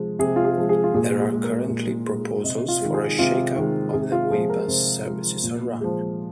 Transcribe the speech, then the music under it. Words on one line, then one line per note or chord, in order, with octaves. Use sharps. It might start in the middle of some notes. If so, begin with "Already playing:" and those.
There are currently proposals for a shake-up of the way bus services are run.
Already playing: C3 F3 G#3
C3 G#4
F4
G#4
F3 G#3
G#4
F4
A#2 G#4
G#4
G#3
A#4
A#2
G#3
C3 D#5
F4
D#3 G#3
G#4
C3 F4
D#3 G#3
C3 G#4
F4
F3 G#3 G#4
A#4
C3 C5
F3 G#3
A#2
F3 G#3